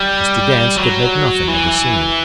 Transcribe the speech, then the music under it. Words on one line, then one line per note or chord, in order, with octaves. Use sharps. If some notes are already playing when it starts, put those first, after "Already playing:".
Mr. Dance could make nothing of the scene.
Already playing: G3
F#3
E3